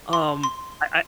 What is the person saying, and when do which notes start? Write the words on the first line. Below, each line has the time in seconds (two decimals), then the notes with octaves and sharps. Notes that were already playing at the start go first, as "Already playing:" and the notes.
Um, I
0.13 C6
0.44 C6